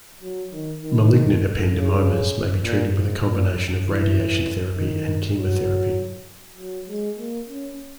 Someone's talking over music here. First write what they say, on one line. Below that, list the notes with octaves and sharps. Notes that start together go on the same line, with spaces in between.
Malignant ependymomas may be treated with a combination of radiation therapy and chemotherapy.
F#3
D#3
D#3
C#3
A#2
G#2
A#2
E3
D#3
F#3
F#3
G#3
A#3
C#4